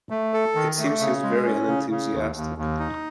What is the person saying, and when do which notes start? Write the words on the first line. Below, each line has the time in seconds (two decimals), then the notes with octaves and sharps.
It seems he was very unenthusiastic.
0.10 A3
0.34 A4
0.55 D#3
0.79 A3
1.00 C#3
1.23 G#3
1.45 C#4
1.67 C#3
1.90 C#3
2.13 D#2
2.35 D#2
2.58 D#2
2.80 D#4